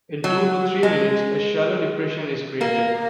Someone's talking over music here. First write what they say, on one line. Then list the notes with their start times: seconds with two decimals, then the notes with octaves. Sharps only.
In two to three minutes a shallow depression is created.
0.24 F#3
0.83 G#3
2.61 A#3